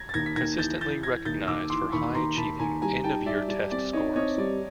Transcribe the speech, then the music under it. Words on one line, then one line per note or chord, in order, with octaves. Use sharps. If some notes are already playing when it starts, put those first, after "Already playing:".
Consistently recognized for high achieving end of year test scores.
Already playing: G#6 A#6
A6
D#2 G#6 A#6
B6
D#2 G#6 A#6
E3 G6 A6
E3 G6 A6
E3 G#6 A#6
D#2 G6 A6
D#2 D6 E6
E3 C6 D6
D#2 B5 C#6
D#2 A#5 C6
D#2 A5 B5
D#2 G#5 A#5
G3 G#5 A#5
D#4 G5 A5
G3 D5 E5
G3 D5
C4 D5
D#4 C#5 D#5
C4 C#5 D#5
G3 D5